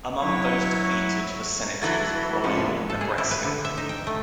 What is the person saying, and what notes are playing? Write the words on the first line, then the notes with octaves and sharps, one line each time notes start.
Among those defeated for Senate was Bryan in Nebraska.
F#3 E4 C#5
E3 F#3 A3 E6 G#6 A6
C3 F3 G#3 C#4
G3 A#3 E4
A4
G#4
E4
B4
D3
E5
D#4
G5
A3